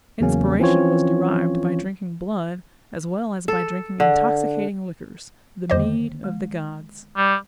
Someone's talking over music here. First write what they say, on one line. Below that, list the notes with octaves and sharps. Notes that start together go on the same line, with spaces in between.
Inspiration was derived by drinking blood as well as by drinking intoxicating liquors--the mead of the gods.
E2 C#3 F#3 A#3 C#4
E3 F3 C4 C#4 F4 C#5
A4
D3
F2 D3 D#3 A#3 C5 D#5
G#3
G3